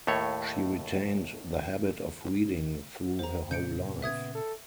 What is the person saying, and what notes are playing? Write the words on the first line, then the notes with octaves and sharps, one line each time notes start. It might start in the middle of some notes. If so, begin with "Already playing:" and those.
She retained the habit of reading through her whole life.
D#2 A2 A3 C#5
C5 A#5
A#2 C#3 G6 C#7 D7
B3 E5 D#6 G#6
A4